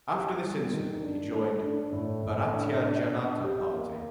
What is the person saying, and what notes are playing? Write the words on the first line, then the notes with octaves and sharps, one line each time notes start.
After this incident he joined Bharatiya Janata Party.
G4
G3
D#3
D4
A3
D4
A2
A2
D4
D4
D4
G4
A#3